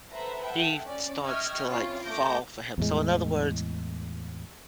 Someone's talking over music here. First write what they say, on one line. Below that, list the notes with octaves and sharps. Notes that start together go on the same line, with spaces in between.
He starts to, like, fall for him. So in other words,
A4 B4 C5 E5 F#5 A#5
A4 E5 F#5 G5
C#4 D5
D#5 E5 G5 C#6 F6 G#6
C4 C#4 E4 F4 C#5 D5
A3 D6 G6 A#6 D7
E2 A2 G#3